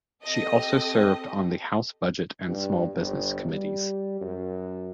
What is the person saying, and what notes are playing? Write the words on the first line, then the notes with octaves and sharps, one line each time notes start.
She also served on the House Budget and Small Business Committees.
C4 G4 A4 D#5
G2
G1
G3
F#2